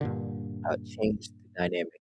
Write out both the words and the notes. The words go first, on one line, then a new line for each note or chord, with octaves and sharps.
uh, changed the dynamic,
G2 A#2 D3